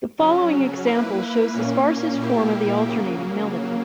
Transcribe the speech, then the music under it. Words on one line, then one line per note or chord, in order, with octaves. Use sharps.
The following example shows the sparsest form of the alternating melody.
C#3 F#3 C#4
A#3 E4 B4
A#2 A#3 C#4
A#2 A#3 E4 G4
C#3 F#3 A#3